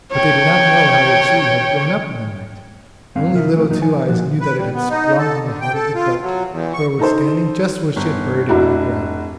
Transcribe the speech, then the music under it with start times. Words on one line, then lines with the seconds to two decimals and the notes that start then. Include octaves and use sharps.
But they did not know how the tree had grown up in the night; only Little Two-eyes knew that it had sprung from the heart of the goat, for it was standing just where she had buried it in the ground.
0.12 C#5 G5
3.15 G2 C4 F5
3.35 C3 A#4 E5
3.54 E3 A3
3.69 F#2 A#2 F#3 A#3 D#4
3.81 F3 G#5
4.09 A#2 F3 F#4
4.41 B4
4.58 G3
4.74 B3
4.90 D#4
5.18 A4
5.41 D3
5.61 G5
5.74 A4
5.95 F4
6.22 F#3
6.50 E2
6.74 C#6
6.99 D#4 A4 C5
7.96 G1
8.49 F1 D4 E4 F#4